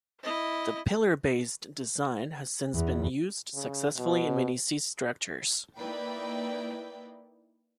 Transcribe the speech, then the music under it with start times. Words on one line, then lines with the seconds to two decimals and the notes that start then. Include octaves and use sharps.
The pillar-based design has since been used successfully in many sea structures.
0.23 E4 D#5
2.74 E2
3.55 C#3
3.96 B2
5.78 A#3 D#4 E4 B4 D5 G5